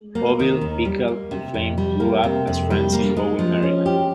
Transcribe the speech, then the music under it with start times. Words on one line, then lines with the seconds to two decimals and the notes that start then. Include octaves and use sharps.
Auville, Bickel, and Flaim grew up as friends in Bowie, Maryland.
0.15 A#3
0.39 D#3
0.61 D#2
0.85 G3
1.08 A#3
1.31 C3
1.54 F2
1.78 G3
2.00 A#3
2.24 C3
2.47 F2
2.70 G3
2.92 A#3
3.17 G#3
3.39 F3
3.62 C#4
3.86 G4